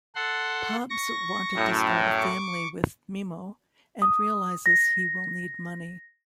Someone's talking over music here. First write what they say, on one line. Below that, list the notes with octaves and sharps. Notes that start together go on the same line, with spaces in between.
Hobbs wants to start a family with Memo and realizes he will need money.
A4 F#5 C6
C#6 A#6
F#2 A2
C#6 D6
D#6
A#6